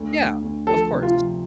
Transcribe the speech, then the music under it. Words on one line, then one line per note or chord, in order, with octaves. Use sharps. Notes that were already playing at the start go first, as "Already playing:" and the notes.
Yeah, of course.
Already playing: D2
D2
D2
F3 A4
C3
F4
F3